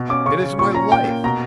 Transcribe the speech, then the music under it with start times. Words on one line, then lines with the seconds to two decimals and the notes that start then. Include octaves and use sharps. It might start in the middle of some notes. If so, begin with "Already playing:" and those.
It is my life.
Already playing: B2
0.09 C#4 D6
0.26 C#3 C#6
0.42 C#4
0.58 A#2 C#6
0.74 C#4 A#5
0.92 A#2 G5
1.07 A#3
1.24 B2 A#5